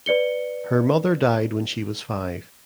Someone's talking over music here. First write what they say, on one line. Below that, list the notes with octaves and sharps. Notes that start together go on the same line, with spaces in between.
Her mother died when she was five.
B4 D5 C#7 G7